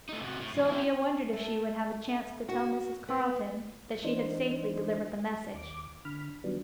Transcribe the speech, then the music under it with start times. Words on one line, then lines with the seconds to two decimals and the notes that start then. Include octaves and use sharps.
Sylvia wondered if she would have a chance to tell Mrs. Carleton that she had safely delivered the message.
0.09 A3 D#4
0.21 C3 F#4
0.41 A2
0.54 G2 D#3
0.69 E4 G4
1.33 A3
2.49 F#4
3.08 B3
4.04 E3 D4 D#4 C5
5.54 D#2 D6
6.05 D3 B5 F6
6.44 D#3 F#3 G3 B3 D4